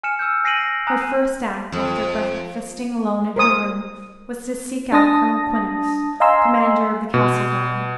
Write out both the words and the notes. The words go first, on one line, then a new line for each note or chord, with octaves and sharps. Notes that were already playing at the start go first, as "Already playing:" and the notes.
Her first act after breakfasting alone in her room was to seek out Colonel Quinnox, commander of the castle guard.
G#5 F6 C#7 E7
E6 F6 G6
G#5 A#6 C7 D7 D#7 F#7
A#6
G#5 A#5 D#6 F#6
F2
A#4 C5 D#6
D4 A5 D#6 A#6
D#5 F5 G#5 A#5 C6 E6
B2